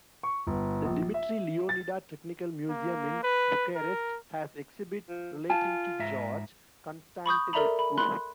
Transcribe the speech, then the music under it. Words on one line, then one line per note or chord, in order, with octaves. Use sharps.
The Dimitrie Leonida Technical Museum in Bucharest has exhibits relating to George Constantinescu.
C#6
G1
A#1
E5
A6
A#3
B4
A#4
F3
F4 G#5 A5
G#2 E5 A#5
B5 C#6 D#6 G6
A4 A#4 D5 E5 A#5 B5
B5
B5 C6 F#6